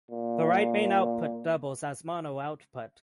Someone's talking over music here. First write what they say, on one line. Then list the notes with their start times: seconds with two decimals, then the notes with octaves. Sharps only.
The right main output doubles as mono output.
0.11 A#2